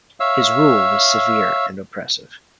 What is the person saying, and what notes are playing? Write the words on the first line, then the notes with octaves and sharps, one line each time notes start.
His rule was severe and oppressive.
C#5 E5 F5 E6